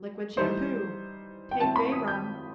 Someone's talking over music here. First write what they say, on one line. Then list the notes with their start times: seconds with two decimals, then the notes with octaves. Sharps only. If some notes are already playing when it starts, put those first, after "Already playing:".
Liquid Shampoo.--Take bay rum.
Already playing: F#3
0.37 E3 G3 D#4 C5
1.51 G5
1.60 A2 F#3 C4 E4 A5
1.76 B5
1.92 D#6
2.08 G6